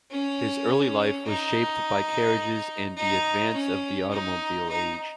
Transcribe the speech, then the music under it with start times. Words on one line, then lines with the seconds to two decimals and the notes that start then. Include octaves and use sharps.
His early life was shaped by carriages and the advance of the automobile age.
0.11 C#4
1.25 D#4
2.96 D#4
3.54 C#4
4.11 D#4
4.69 D#4